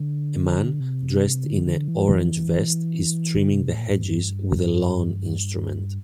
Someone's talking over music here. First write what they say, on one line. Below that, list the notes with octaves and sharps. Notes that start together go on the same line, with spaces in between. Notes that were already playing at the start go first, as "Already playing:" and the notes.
A man, dressed in a orange vest is trimming the hedges with a lawn instrument.
Already playing: D3
C3
D3
D3
E3
E3
D3
C3
A2
A#2
A2
G2